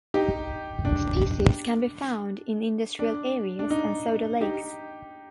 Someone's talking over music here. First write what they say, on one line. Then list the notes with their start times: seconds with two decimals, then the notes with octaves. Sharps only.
Species can be found in industrial areas and soda lakes.
0.14 D#4 G4
0.85 D4
2.99 D4
3.59 D4
3.70 D#4
4.41 D#4 G4